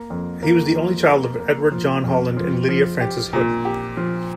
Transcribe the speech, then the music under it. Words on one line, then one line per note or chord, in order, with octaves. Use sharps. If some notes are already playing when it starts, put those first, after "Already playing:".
He was the only child of Edward John Holland and Lydia Frances Hood.
Already playing: A#3
F2
A#3
F3
A#3
A#3
F3
F2
F3
F3
G4
A#2
G4
F3